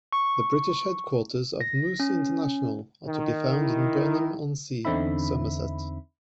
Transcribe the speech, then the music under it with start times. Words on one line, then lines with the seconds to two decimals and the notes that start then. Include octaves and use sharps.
The British Headquarters of Moose International are to be found in Burnham-on-Sea, Somerset.
0.12 C#6
1.61 A#6
2.00 C#4
3.07 D#3
3.60 E4
4.85 E2 D3 C4 D#4 E5 B5